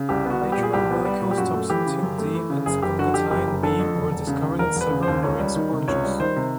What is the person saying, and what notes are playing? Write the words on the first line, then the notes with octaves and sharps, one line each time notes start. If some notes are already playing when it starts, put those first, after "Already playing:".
Natural molecules topsentin D and spongotine B were discovered in several marine sponges.
Already playing: C#3
C2 G4
B3
F#4
G3
G4
A#2
G#4
C2 G4
B3
G3
A#2
G4
F#2 F#4
A3
E3 G4
C#3
F#2
A3
E3
C#3
F#1 G#4
F#1 G4
D3 F#4
F2 G4
F#1 G4
F#1
D3 A4
F2
E1
E1
C#3
D#2
E1 A#4
E1
B4
C#3
C5
D#2
C#2 C#5
G3
D#3
C3
C#2 C#5
G3
D#3 C5
C3